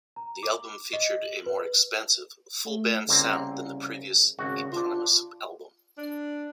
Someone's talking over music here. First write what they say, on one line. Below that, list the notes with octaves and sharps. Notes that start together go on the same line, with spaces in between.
The album featured a more expansive, full band sound than the previous eponymous album.
A#5
D6
D#5
F#7
B4
A3
C2 C#3 A#3 C4
G#1 C#3 F#4
D4 F4 C5
D4